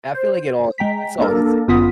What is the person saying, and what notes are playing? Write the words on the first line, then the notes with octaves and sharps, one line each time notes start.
I feel like it all it's all the same,
C5
G#3 G5 A#5 B6
A#3 D4 A4 A#4
G1 F#2 B3 F4 D#6 B6